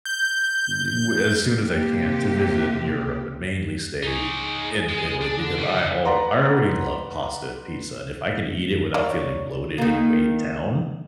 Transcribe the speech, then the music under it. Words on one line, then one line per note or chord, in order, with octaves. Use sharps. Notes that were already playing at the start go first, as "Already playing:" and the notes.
d we're as soon as I can, to visit Europe and mainly stay in Italy because I alr I already love pasta and pizza, and, if I can eat it without feeling bloated and weighed down,
G6
C3 A#3 G4
D#4 G#4 C#5
G#3
D4
D3
C#2 G3
B4 D5 F#5 A#5 C6
A#3 C#5 D5
D#3 A#3